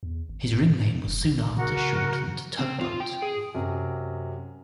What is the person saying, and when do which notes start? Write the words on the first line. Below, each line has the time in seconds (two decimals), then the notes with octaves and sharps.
His ring name was soon after shortened to Tugboat.
0.03 E2
0.29 G#1
0.51 G#2
1.07 F1
1.24 B1
1.57 C#3 F#4 A#4
2.59 C4
2.81 F4
3.00 G5
3.22 G#4
3.54 F#2 C3